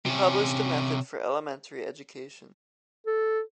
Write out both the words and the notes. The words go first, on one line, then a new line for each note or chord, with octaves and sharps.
He published a method for elementary education.
C3 C#4
A4